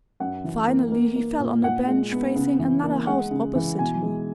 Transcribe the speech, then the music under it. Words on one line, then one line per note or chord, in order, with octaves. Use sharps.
Finally he fell on a bench facing another house opposite me.
F#2 F#5
E3
A#3
A#3
A#3
A#2
A#2 F#5
G#3
B3
C#3
E3
A#3
G#3 F#5
C#3
E3
B2 G#5
G#3